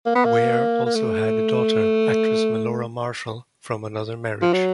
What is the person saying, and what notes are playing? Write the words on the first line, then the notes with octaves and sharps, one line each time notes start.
Ware also had a daughter, actress Melora Marshall, from another marriage.
A#3
B3
A#3
A#3
A3
F3
F#3